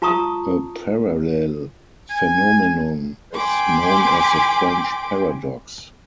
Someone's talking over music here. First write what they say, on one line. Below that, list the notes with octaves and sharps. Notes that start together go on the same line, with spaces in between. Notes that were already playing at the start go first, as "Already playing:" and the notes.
A parallel phenomenon is known as the French Paradox.
F4 A5 A#5 C#6 D#6
G#5
G5 G#5 B5 C6 D6